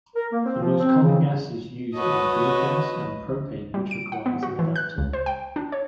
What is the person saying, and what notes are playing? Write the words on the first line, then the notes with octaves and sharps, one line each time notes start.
The most common gases used are "green gas" and propane which requires an adaptor.
A#4
A#3
C4
F3
C4
C#3
F#4 A4 B4 C#5 D#5
G3
D7
F#5
B3
F#4
E3
F#6
C#2
C5
G5
D4
C#5